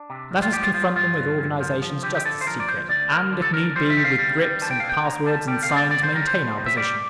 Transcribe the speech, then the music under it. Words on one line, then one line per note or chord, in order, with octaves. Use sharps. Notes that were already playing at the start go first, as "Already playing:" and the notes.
Let us confront them with organizations just as secret, and, if need be, with grips, and pass-words, and signs maintain our position.
Already playing: D4
C3
G2
F4
F3 G4
F4
F3 F4
G2 F4
G2
G2
F3
F3
D3 G4
G4
D3 A4
C5
F3 A#4
D5
D2 C5
D2 D5
D2 A#4
D3
A4
D2 A#4
G3 C5
E5
G3
F5
G3
G3
D3 A5
G5
D3 F5
G5
D2 A#5
G3 A5
G3 G5
F5
G3
D5
A2 D5
C5
G3 A#4
C5
A2
A2
E5
G3 D5